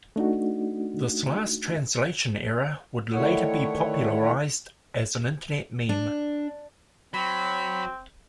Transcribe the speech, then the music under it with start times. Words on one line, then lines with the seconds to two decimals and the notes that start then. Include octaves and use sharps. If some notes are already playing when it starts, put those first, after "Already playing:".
This last translation error would later be popularized as an internet meme.
0.16 A3 D4 D#4 F#4
3.14 D3 D#3 A3 E4 C#5 F#5
5.89 D4
7.14 F#3 C4 B5